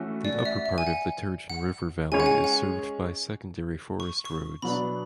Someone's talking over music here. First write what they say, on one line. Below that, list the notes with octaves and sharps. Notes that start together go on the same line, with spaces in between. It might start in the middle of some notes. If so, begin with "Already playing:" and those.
The upper part of the Turgeon River valley is served by secondary forest roads.
Already playing: E3 A3 C#4 F#4
D5
D5
E5
E5
G#5
F#5
F#5
G#3 C#4 G#4 C#5 G#5
F#5
G#5
F#5
C#6
C#6
B2 F#3 B3 D4 B5